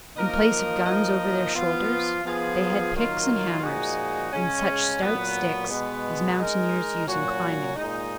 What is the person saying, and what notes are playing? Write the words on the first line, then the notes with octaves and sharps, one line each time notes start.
In place of guns over their shoulders, they had picks and hammers and such stout sticks as mountaineers use in climbing.
F3 A#3 D#4 A#4
F3 A#3 D#4 A#4
F3 B3 F4
F3 B3 F4 G#4
D#3 F#3 A#3 F4
A#2 F3 G#3 D#4 F#4
C#3 G#3 C#4 G#4
A#2 F#3 B3
B2 G#3 B3
G#3 D#4 A#4
A#2 F#3 C#4 F#4
A#2 G#3 D#4